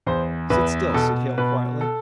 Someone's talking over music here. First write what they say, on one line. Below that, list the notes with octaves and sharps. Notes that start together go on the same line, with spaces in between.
"Sit still," said Hale, quietly.
E2 C5
E2 B4
B2 A4
B2 B4
A4